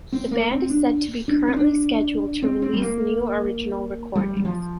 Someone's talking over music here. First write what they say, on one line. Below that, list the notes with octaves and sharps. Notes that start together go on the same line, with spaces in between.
The band is said to be currently scheduled to release new original recordings.
C4
A#3
C4
D4
D4
C4
D4
C4
C4
G3
A#3
G3
G3
F3